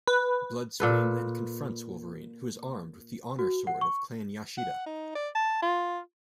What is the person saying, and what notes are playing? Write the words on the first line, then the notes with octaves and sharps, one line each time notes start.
Bloodscream then confronts Wolverine, who is armed with the honor sword of Clan Yashida.
B4
A#2 A4 B4
F#4
F#5
C#6
F#5
D#4
D5
A5
F4